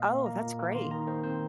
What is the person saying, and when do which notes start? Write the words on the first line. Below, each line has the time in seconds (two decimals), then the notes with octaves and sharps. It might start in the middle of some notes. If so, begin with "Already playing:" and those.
Oh, that's great.
Already playing: A#2 A#3 D#5 F5
0.10 A#3
0.26 A#3 A#5
0.42 A#2
0.59 A#3
0.75 D#3 C6
0.91 D#3 A#5
1.07 D#3 C5
1.23 C4 C5